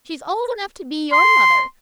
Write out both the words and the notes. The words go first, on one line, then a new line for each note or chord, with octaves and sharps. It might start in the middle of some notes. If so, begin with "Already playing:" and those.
She's old enough to be your mother.
C6